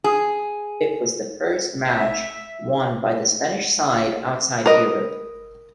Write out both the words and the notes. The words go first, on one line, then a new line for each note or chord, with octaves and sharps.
It was the first match won by the Spanish side outside Europe.
G#4
E5
A#4 B4 D#5